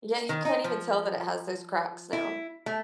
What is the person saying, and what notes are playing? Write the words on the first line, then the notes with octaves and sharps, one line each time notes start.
Yeah, you can't even tell that it has those cracks now.
D#3
D#4
F3
E4
A3